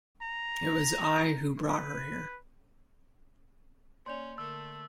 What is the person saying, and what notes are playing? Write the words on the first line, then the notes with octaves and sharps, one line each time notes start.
It was I who brought her here.
A#5
B4
A#3 C#4 D5 C6 G6 F7
D3 A3 A#4 A5 E6